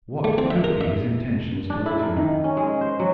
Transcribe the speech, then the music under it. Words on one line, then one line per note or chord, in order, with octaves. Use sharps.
What could be his intentions towards him?
A3
C4
E5
A#4
E5
D4
E4
A#4
D#3
C#4
G#3
C5
F#3